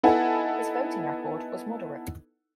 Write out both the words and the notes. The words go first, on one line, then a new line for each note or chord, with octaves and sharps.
His voting record was moderate.
B3 D#4 E4 A4 F#5 G#5